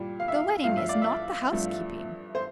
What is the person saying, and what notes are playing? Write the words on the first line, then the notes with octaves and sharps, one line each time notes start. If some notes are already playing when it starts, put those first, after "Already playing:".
The wedding is not the housekeeping.
Already playing: A#2 G3
F5
E5
F5
G2 F3 A3 F5
E5
D5
E5
G2 F3 A3
C5